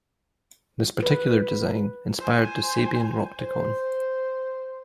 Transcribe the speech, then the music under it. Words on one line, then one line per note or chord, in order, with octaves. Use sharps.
This particular design inspired the Sabian Rocktagon.
B4
C5 G#5
C5